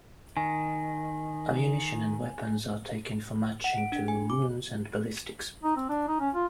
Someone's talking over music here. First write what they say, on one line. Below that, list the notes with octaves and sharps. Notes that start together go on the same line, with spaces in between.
Ammunition and weapons are taken for matching to wounds and ballistics.
D#3 G#5
F#5
D7
D4
G#5
D6
D#4
C4
D4
D#4
C#4
F4